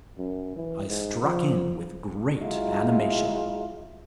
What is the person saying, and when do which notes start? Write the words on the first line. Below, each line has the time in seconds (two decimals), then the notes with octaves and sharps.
I struck in with great animation.
0.18 F#2
0.56 E3
0.89 G#2
1.22 F3
2.40 F#3 G#3 E4 F4